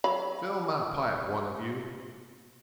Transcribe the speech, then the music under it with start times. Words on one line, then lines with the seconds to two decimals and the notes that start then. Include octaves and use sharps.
'Fill my pipe, one of you.
0.04 F#3 F5 B5